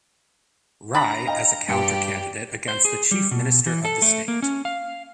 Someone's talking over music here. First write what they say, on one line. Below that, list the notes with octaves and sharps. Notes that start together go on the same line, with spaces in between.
Rai as a counter-candidate against the Chief Minister of the state.
D4 A#5 B5
D#5 F5 G5
G2 G4 D5 G5 C#7
C5
G#4
G3
B2
E3
A4
A3
A#3
C#4
F5